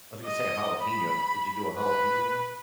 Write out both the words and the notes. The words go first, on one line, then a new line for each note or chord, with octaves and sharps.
I was gonna say, jalapeno did you do a jalapeno one?
D#5
B5
B4